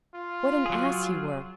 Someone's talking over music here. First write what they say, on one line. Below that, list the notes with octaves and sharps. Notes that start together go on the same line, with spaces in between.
"What an ass you were."
F4
F#3 G#4